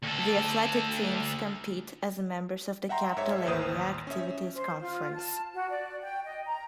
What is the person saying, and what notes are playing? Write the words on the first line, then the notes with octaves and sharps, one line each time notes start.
The athletic teams compete as members of the Capital Area Activities Conference.
D2 A4
E5 F#5 G5 A#5 C6
G#2 A4 C#5 E5
A1 D#2 C5 D#6
C#4 E5
C5
F4
A5
F#4
D5
G5
D#5
A#5